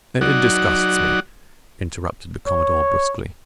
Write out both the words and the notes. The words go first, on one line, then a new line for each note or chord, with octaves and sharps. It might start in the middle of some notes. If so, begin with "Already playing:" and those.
"It disgusts me," interrupted the commodore brusquely.
F#3 D#4 F#4 D5 F#5
C#5